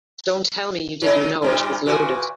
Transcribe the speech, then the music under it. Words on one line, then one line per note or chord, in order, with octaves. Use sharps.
Don't tell me you didn't know it was loaded.
G#2 D#4
G2 A#2 G3
A#2 E3 F#4